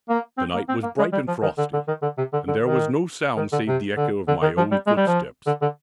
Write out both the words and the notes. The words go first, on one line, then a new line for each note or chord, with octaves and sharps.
The night was bright and frosty, and there was no sound save the echo of my own footsteps.
A#3
C4
A#3
C4
A#3
G#3
G3
F3
D#3
D3
D3
D#3
D3
C3
D3
D3
D#3
D#3
D3
C3
D3
D3
D#3
F3
G3
G#3
G3
F3
D3
D3